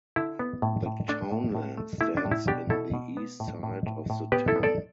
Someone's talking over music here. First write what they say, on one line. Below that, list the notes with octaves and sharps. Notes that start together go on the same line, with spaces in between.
The townland stands in the east side of the town.
D3 E4
B3
A2
A2
A3 D4
A2
A2
A3
A3 E4
D4
A2
E4
B2 D4 G4
B2 E4 A4
B2
B3
A2
A2
A2
A2
B3 G4 B4
E4 A4
B3
A4 D5